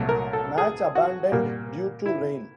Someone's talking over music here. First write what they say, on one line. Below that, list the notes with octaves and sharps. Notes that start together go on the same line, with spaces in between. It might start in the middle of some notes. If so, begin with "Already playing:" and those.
Match abandoned due to rain.
Already playing: C2 A#2 F#3 A3
A#4
A4
G#4
F#4
A#2 G3 A#3
E4